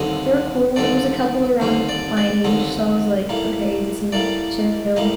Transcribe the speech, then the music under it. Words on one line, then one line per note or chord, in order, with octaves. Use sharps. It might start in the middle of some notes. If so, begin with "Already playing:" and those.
they were cool, it was a couple around my age, so I was like, "Okay, they seem chill."
Already playing: D#2 D3 G3 C4 D#5
D#2 D3 G3 C4 D5
D#2 D3 G3 C4 C5
D5
D5
D#2 D3 G3 C4 D#5
A2 G3 A#3
A2 G3 A#3 D5
A2 G3 A#3 D#5